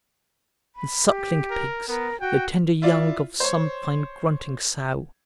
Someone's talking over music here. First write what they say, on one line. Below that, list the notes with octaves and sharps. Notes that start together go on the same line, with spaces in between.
And suckling pigs, the tender young Of some fine grunting sow!
B5
G4
A#4
B3 A#4
F#4 G5
E4 F4 D5
C5 C#5